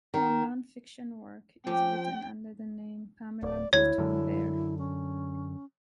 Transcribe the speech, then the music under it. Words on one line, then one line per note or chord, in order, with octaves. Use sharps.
Her non-fiction work is written under the name Pamela Britton-Baer.
D#3
F3 C4 C#4 G4 G5
D1 D5
D2 E4 C#5 G#6
F#2 D3
C#4